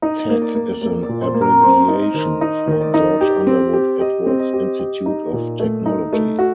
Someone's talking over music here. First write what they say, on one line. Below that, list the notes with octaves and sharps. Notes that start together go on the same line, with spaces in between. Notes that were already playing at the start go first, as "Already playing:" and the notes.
Tech is an abbreviation for "George Underwood Edwards Institute of Technology".
D#4 D#5
D#5
A#3
D5
A#3
A#3 D5
D5
A#2
C5
A#3
A#4
C4 C5
D#4
D#5
D#3
D#4 D#5
D#3 D#5
D5
D#4
G4 D5
C4
G4
G4 D#5
C4
D#5
G4
G4
D#4
A#2
A3
D#4
A3
F#4